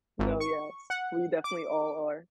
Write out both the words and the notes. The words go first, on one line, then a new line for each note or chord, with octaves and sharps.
No, yes. We definitely all are.
G#1
C#6
F#5
D6